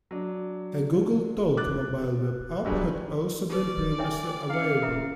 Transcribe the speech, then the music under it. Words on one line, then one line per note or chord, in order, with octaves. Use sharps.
A Google Talk mobile web app had also been previously available.
F#3 D4
D6 F#6 A6
G1 F#3 G3 D4 G#4 B4
D#4 G4 B4 D5
C#5 E5 G5 G#5
C#4 E4 F5 C#7
E5 A#5 D#6